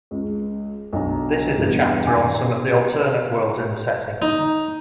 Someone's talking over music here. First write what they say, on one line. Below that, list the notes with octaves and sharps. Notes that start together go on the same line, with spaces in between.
This is the chapter on some of the alternate worlds in the setting.
C#2
B1 D4 A#5
E2 G2 B2
F#2 D#3 G#5 D6
D#4